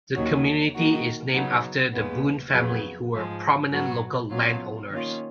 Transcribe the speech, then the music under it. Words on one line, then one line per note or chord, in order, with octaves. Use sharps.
The community is named after the Boone family, who were prominent local landowners.
D#2 D#3 F#3 C#4 F#4
D#3 A#3 D#4 F#4
C#3 F#3 B3 D#4
D#2 C#3 G#3 B3
F2 C#3 F#3 B3
G#2 F3 G#3
G#2 F#3 B3 F#4
B2 F#3 C#4 F4
D#3 A#3 C#4 F4